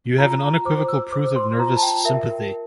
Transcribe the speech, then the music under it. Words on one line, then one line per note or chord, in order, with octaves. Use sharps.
You have an unequivocal proof of nervous sympathy.
F4 A#5
A#5
C5 D6
E6
C5 D6
C6
F4 A#5
A5
G5
A#4 E5